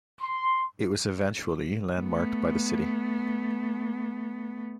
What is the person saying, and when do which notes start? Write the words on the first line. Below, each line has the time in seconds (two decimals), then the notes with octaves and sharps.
It was eventually landmarked by the city.
0.19 C6
1.96 A3 B3